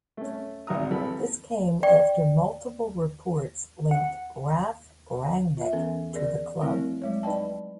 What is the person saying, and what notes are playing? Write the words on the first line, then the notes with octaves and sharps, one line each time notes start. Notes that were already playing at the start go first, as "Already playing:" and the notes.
This came after multiple reports linked Ralf Rangnick to the club.
A3 C#4
G#1 D2 F#4 A#5 D#6
G#1 E3 A4 B5
D5 G5
F#5
F4 E5
E3 B3 C#4 A4 A#4
G#4 A#4 D5
F3 G3 A3 C4 E4 A#4
F#3 G#3 C#5
D#4 B4 D5 D#5 G5 A5